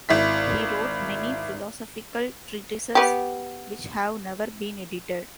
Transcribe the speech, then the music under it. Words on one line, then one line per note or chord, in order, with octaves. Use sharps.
He wrote many philosophical treatises which have never been edited.
G#1 E4 B6
B3 G4